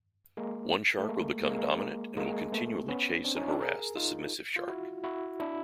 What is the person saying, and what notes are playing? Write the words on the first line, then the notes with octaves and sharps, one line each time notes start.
One shark will become dominant and will continually chase and harass the submissive shark.
G#3 A#3
A3
G#3 A#3
G#3 A#3
G#3 A#3
A3 B3
B3 C#4
C4 D4
C#4 D#4
F4
D4 E4
G#4 A#4
D#4 F4
F4
E4 F#4
E4 F#4
D4 E4